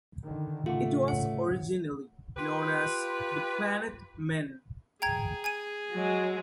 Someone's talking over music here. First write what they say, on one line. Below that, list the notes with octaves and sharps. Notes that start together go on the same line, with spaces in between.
It was originally known as "The Planet Men".
D3 D#3
A1 C#3 A3 F4 F#5
C#5 F#5
F4 G4 B4
G#4 G5 A#5 G#6
G#5 G#6 D#7
F#3 G#3